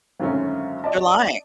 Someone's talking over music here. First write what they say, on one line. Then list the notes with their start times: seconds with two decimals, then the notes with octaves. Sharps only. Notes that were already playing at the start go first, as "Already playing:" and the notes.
They're lying.
0.19 G#1 F#2 D3 F#3 A3 C#4
0.84 D5 D#5 A5